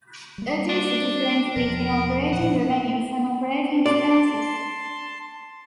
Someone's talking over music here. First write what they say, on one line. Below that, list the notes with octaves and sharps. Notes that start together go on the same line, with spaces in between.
It is the difference between operating revenues and operating expenses.
G3 A#3
D4
E2 B2 F3 A#4
A#2 F3 F#5
D5 A5 C6